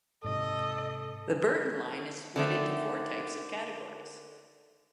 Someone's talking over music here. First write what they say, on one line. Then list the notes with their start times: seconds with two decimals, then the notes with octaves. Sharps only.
The Burton line is split into Four types of categories.
0.24 G#2 C3 A4 D#5
2.36 D3 D#3 A3